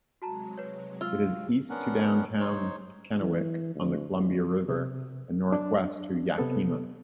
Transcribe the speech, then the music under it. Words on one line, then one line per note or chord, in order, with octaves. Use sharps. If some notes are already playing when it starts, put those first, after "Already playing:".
It is east to downtown Kennewick on the Columbia River and northwest to Yakima.
C3 F#3 G#3 F#4 A5 A#5
B4 C#5
F4 E6 F6
B3 C#4 D4 A#4 F#5
D#4 C5 C#5
E3
D2
G1
C3
D4
C3 B3 A4